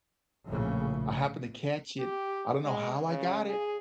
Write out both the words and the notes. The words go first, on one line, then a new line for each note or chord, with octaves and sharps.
I happened to catch it, I don't know how I got it
A#1 A2 C#3
G4
G#3
C#3
G#4